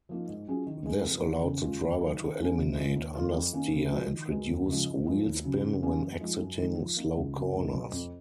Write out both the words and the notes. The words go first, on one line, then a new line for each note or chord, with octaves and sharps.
This allowed the driver to eliminate understeer and reduce wheelspin when exiting slow corners.
F3 A#3 D#4
G#2
F#3 C#4 F4 G#4
D#3
G#3 D#4 G#4
F2
D#3 A#3 D#4
C#3
G#3 C#4 F4
D#2
D#3 F#3
D#3
A#3 C#4
C#2
C#3 G#3 B3 F4
D#2
D#3 A#3 F4
F2
D#3 A#3 C#4
C#3
F3 G#3 B3 F#4
D#3
G#3 B3 F#4 A#4
D#2
C#3 F3 G#3
G#2
F3 G#3 B3 F4
D#2
C#3 F#3
C#3
F#3 A#3 C#4
F#2
F3 G#3 D#4
F#2
D#3 G#3 D#4
F3
A#3 D#4
C#2
C#3 F#3
C#2
B2 F#3
F2